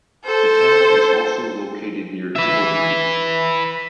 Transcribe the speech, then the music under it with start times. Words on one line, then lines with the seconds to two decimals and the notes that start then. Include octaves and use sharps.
The town is also located near Dibble Creek.
0.24 A4 C5
2.36 B4 E5